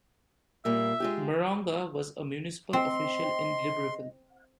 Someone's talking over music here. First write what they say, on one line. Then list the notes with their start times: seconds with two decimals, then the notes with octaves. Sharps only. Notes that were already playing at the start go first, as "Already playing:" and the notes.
Maronga was a municipal official in Libreville.
0.65 A#2 G3 A#3 E5
1.00 G#3 F4 G4
2.73 C4 D#5 C6